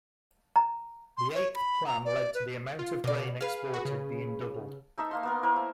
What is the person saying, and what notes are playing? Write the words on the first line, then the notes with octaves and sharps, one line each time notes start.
The eighth plan led to the amount of grain exported being doubled.
A#5
C6
C#5
B5
A#5
D5
B4
F4
B2 A#3 D5
G#4 B4 F5
F#4
C#3
A3 D#4 E5 E6
A#3 F5 C6
A#3 B3 A#4
E4 A#4 C5
A3